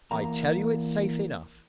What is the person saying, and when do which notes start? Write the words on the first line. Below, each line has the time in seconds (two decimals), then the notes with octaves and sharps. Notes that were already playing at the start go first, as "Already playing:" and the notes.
I tell you it's safe enough.
0.11 E2 A#3 A#5